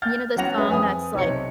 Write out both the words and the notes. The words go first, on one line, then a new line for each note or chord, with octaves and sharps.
you know the song that's, like
F6 G6 A6
F#3 B3 C#4 F#5 A#6 F7
C#4 G#4 B4 E5
F2 B4 G#5 D#6
B1 C3 C#5 C#7